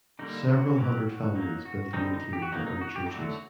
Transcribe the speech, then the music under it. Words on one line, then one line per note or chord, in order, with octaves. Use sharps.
Several hundred families built and maintained their own churches.
D3 G3 A#3 D#4
F#4
F#3 A#3 G4
F#4
F#3 A#3 D#4
F#4
D3 G3 C4 D#4
D#4
G4
F#4
F#3 A#3 D#4
D#4
F#4
G4
D#4
D3 F#3 A3 F#4